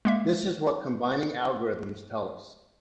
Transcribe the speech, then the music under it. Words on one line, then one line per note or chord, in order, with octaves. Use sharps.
This is what combining algorithms tell us.
G#3 A#3 E5